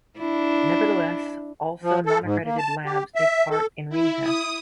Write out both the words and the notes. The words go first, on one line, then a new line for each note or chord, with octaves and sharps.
Nevertheless, also non accredited labs take part in ringtests.
D4 E4
F3
A4
G#2
A#3
A5
G4
E5
A4
E4
D#6